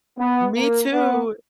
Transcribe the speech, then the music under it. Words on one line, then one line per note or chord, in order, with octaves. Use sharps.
Me too.
B3
A#3
B3